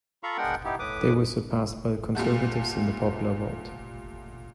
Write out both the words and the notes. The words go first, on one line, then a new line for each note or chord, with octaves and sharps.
They were surpassed by the Conservatives in the popular vote.
F4 A4 F5 A#5 B5 C#6
G#3 B3 D4 A#4 F#5 G5
B3 D#4 E4 G4
A2 B4 D6 D#6
A#2 G3 A3 F#4